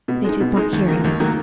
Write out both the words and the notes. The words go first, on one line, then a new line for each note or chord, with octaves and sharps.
They did not hear him.
B2
G#3 D#4
B2
G#3 D#4
D#2
D#3 F#3 A#3
D#2
D#3 F#3 A#3